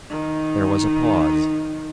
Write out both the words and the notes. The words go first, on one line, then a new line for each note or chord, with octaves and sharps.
There was a pause.
D#3 D#4